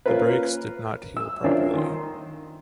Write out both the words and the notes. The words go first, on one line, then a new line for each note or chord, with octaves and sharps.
The breaks did not heal properly.
A#3 C#4 F4 A#4 B4
E6
E3 C#4 D4 F4 A#4 C5
D#3 C6